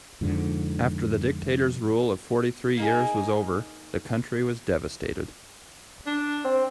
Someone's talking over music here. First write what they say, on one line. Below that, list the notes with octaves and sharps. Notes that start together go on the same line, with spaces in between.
After the dictator's rule of fourty three years was over, the country was devastated.
F2 G#2 D3
A#3 D#4 G#4
D4
C4